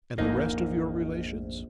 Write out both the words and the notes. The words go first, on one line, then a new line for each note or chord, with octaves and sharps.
'And the rest of your relations?'
A#1 F2 G#2 A#3 D#4